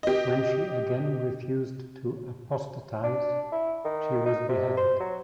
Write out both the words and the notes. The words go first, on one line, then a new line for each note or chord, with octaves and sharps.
When she again refused to apostatize, she was beheaded.
G4 D#5
D4
E4
D#3
D#4
C3
C5
F#3